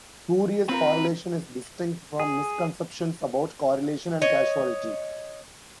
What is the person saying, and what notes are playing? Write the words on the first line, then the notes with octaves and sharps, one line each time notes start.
Spurious correlation is distinct from misconceptions about correlation and causality.
C4 F4 A#4 B4
G#4
C#5 D#5